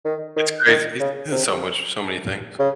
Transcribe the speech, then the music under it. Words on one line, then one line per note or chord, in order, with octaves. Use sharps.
It's crazy, he's he's in so much so many things.
D#3
D#3
D#3
C#3
C3
C#3